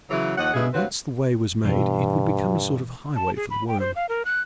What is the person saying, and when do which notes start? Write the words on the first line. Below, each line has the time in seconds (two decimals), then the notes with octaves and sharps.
When once the way was made it would become a sort of highway for the Worm.
0.10 C#3 E3 F#3
0.38 D#2 F3 D#5 F#5
0.54 G2 C#3 G#3 B3 G#4 E5
0.74 D2 C3 F#3 C4 B4 F5
1.65 G2 B2 E3
3.16 A5
3.36 G#4
3.50 B5
3.68 G5
3.80 C5
3.96 F5
4.09 A#4
4.25 F#6